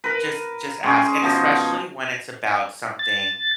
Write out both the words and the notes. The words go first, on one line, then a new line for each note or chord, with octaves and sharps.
just just ask. And especially when it's about something
A#4 B4
G#3 C#4 G#4
B2 F3 D#4
A6